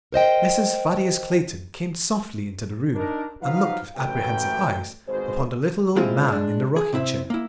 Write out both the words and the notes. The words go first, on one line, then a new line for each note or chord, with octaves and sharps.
Mrs. Thaddeus Clayton came softly into the room and looked with apprehensive eyes upon the little old man in the rocking-chair.
A#4 C5 D#5 G5
D4 D#4 A#4
F3 F#3 D#4 F#4 B4 F5
A1 F#2 A3 B4 G5
G#1 B2 G#3 G#4 C5
G#3 A#3 C4 E4 F4 G#4
G#3 D4
G#4
C3 C4 E4 E5
A#3 E4